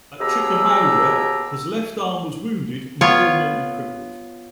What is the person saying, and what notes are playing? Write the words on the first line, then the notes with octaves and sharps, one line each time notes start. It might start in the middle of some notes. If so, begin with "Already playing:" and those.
At Chickamauga, his left arm was wounded and permanently crippled.
D#2 B2 G4 G#4 A#5 E6
B3 F4 C#5